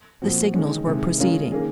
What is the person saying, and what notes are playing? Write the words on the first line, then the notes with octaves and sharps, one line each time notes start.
The signals were proceeding.
A#2 F3 C4 F#4
D#3 G#3 C#4
C3 D#3 G#3
C#3 G#3 C#4 F4 A#4
D#3 A#3 C#4 G#4